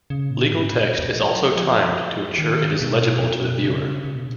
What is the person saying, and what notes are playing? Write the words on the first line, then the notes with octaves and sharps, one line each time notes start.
Legal text is also timed to ensure it is legible to the viewer.
C#3
A#2
G#2
A#2
B2
F3
F#3
F3
D#3
B2
B2
C#3
C#3
B2